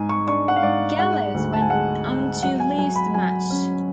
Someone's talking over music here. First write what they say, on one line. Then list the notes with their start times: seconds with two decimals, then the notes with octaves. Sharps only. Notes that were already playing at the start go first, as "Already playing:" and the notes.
Gallows went on to lose the match.
Already playing: G#2 G#3 G#5
0.09 C#6
0.27 D4 C#6
0.48 F#5
0.56 F5
0.63 G#2 D5
0.99 G#3 F#5
1.34 D2
1.53 A5
1.62 G#5
1.70 G#3 F#5
2.07 G#3
2.43 F#3 F#5
2.60 G#5
2.78 F#3 G#5
2.96 B5
3.14 F#3 G#5
3.50 C#4